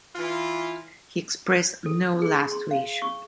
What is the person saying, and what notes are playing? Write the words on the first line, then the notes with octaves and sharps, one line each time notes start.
He expressed no "last wish".
E3 F4
A4
G#4
C6
F5
C#6